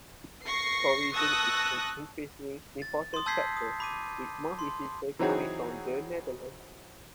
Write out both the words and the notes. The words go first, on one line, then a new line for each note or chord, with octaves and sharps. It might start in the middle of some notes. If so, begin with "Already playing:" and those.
Tourism is an increasingly important sector, with most visitors coming from the Netherlands.
C#6 A#6 C7
A5 C#6 D#6 E6 F#6 A#6
A6
C6 D#6
A5 E6 G6 G#6 B6 C7
D#6
B5 D6 D#7
C6
E3 F#3 C4 D#4 F#4 G#4